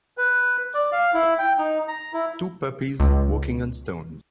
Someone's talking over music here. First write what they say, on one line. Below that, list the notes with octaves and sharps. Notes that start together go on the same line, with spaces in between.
Two puppies walking on stones.
B4
D5
F5
E4
G5
D#4
A#5
E4
C#2